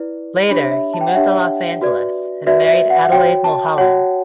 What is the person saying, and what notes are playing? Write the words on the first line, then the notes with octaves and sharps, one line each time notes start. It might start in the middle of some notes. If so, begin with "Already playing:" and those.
Later, he moved to Los Angeles and married Adelaide Mulholland.
Already playing: E4 B4 D5
D4 G4 C#5 B5
E5
A5
G5
F#5
D4 G4 C#5 E5
F#4 B4 D5
F#4 B4 D5 E5
E5
F#5
F#4 C#5 G5
A5
F#4 C#5 F#5